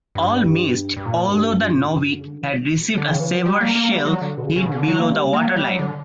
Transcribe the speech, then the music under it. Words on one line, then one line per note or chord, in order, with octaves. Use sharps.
All missed although the "Novik" had received a severe shell hit below the waterline.
G2
G2
A#2
G2
F#2
G2
A#2
G2
F#2
D3
C#3
D3
E3
D3
B2
A#2
C#3
D3
C#3
E3
F#3
G3
A#3
A#3
G3
F#3
D3
B2
C#3
C#3
B2
C#3
D3
F#3
A#3
G3
A#3
F#3
G3
F#3
D3